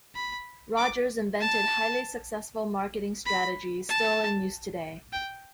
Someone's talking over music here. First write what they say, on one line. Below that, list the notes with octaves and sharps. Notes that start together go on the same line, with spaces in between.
Rogers invented highly successful marketing strategies still in use today.
B5
D6
A5
B5
A5
G5